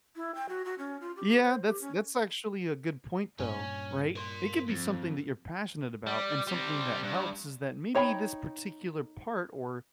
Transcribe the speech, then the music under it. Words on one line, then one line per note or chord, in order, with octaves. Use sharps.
Yeah, that's that's actually a good point, though, right? It could be something that you're passionate about, and something that helps is that maybe this particular part or
E4
G5
F#4
F#4
C#4
F4
G4
C5
G4
C#4
G2 A#2 C#4
A#4 C6
F2
G3
G3 C4
G2
D#4 C#5 G5 A5 B5